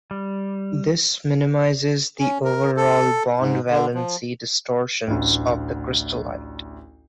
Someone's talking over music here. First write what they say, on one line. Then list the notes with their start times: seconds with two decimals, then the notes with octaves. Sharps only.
This minimizes the overall bond-valence distortions of the crystallite.
0.11 G3
2.19 C#4
2.44 A#4
2.77 A4
3.40 G#2
3.70 D3
3.94 F3
5.07 A1 D2